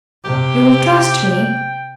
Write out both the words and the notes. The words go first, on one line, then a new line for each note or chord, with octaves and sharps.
You'll trust me?
C3 G4
G5